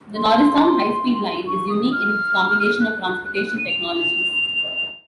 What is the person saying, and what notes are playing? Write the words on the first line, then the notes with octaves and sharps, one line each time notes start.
The Norristown High Speed Line is unique in its combination of transportation technologies.
C6
C#6
D#6
F6
F#6
F#6
F#6
F#6
F#6
D#7
F7